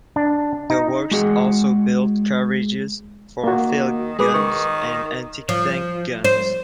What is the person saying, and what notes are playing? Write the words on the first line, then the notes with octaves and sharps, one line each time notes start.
The works also built carriages for field guns and anti-tank guns.
D4
D#4
G#3 F#4 G#4 F#5
D#3 A#3 F#4
G#3 G#4 B4 D6
D#3 C#6
F3
C5